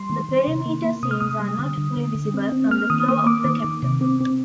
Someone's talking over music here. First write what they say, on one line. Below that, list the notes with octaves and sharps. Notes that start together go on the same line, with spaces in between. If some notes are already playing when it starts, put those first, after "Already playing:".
The perimeter scenes are not fully visible from the floor of the Capitol.
Already playing: G3 C6
D#3
D#3
C3
A#3
A#3
C3 D#6
F6
C3 D#6
G3
D3
D3
D3
D3
C4
C4
A#3 F6
D#3 D#6
A#3 D#6
A#3 D6
D#3
D#3
C3
C4
C4